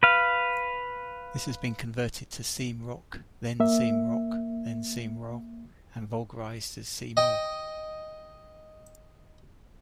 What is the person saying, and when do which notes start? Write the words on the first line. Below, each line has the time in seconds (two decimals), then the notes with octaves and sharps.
This has been converted to saeem-rokh, then seem-rokh, seem-rogh and vulgarised as see-morgh.
0.03 B4 F5
3.60 A#3 E5
7.17 D#5 G5